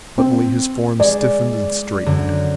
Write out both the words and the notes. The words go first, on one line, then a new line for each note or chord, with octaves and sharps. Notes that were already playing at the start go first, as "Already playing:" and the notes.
Suddenly his form stiffened and straightened.
C4
G#3 D5
F#2 D3